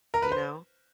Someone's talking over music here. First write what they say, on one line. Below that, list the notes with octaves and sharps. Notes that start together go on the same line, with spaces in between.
You know?
A#4
B4
C5